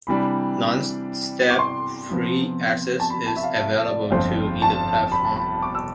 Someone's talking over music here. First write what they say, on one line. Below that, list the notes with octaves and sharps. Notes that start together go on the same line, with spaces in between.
No step-free access is available to either platform.
C3 E3 G3 D4 B5
D6
C6
C3 F3 B3
A5
B5
A5
E5
F5
E5
D5
G1 F2 D3 C5
A5
B5
A5
B5
D6
E6